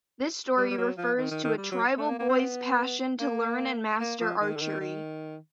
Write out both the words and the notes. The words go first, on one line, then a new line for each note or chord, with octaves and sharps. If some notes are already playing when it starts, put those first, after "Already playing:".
This story refers to a tribal boy's passion to learn and master archery.
G3
G3
F#3
F3
D#3
D#3
D#3
G3
F#3
A3
A#3
A#3
C4
B3
A#3
A#3
F3
D#3
D3
D#3
D#3